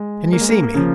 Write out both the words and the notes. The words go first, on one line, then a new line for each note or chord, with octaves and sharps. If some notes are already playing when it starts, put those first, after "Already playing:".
"Can you see me?"
Already playing: G#3
A#3
G#3
A#3
C#3 F3